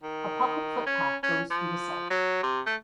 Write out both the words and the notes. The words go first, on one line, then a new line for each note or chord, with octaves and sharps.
A public footpath goes through the site.
D#3
C#4
C#4
F3
F#3
C3
A3